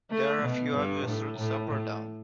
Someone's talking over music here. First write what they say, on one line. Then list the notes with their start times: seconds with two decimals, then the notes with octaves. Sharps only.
There are few obvious routes up or down.
0.10 A3
0.42 B2
0.74 G2
1.06 A2
1.38 A2
1.70 A2